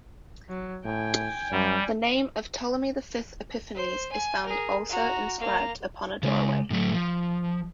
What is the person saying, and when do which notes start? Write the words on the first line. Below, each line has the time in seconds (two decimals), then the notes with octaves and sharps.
The name of Ptolemy the Fifth Epiphanes is found also inscribed upon a doorway.
0.48 F#3
0.85 A2 G5 G#5
1.51 F#2 G3
3.75 C5
4.12 G#5
4.45 G#4 A#4
4.89 F#4 A#5
5.40 A#3 A#5
6.23 C#3 G#3
6.70 A2 F#3 A3
6.93 F3